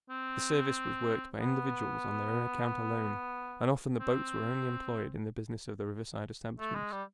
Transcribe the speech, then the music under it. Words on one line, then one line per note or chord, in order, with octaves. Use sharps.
The service was worked by individuals on their own account alone, and often the boats were only employed in the business of the riverside establishments.
C4
B3
C4
A3
G#3
G3